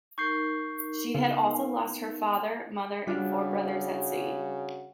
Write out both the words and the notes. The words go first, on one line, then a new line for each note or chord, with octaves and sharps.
She had also lost her father, mother and four brothers at sea.
D#4 A#4 C#6 G6 C7
C#3 B3 F5
C#3 G3 D4 F4 F#4